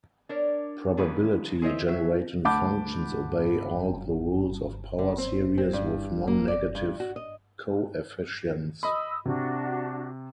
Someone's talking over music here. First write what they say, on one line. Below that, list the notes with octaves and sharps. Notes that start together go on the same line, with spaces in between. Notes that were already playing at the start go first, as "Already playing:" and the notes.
Probability generating functions obey all the rules of power series with non-negative coefficients.
D4 A#4 C#5 D5
D3 D#3 A#3 C#4 G#4 B4
G#4 A#4 C5 C#5 D#5 E5
F#3 E5
D2 F#5 A5 B5 D6 G6
D3
C4
C4
G2
A#3
D5
G2
F#4
D#5
D#5 B5 D#6 E6
C3 D4 F#4